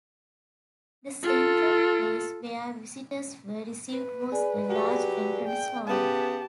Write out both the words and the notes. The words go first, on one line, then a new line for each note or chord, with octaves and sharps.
The central place where visitors were received was a large entrance hall.
F4 A4
B4
G#4 D5 G#5
F#3 G4
G5
C#3 B3 G4 A5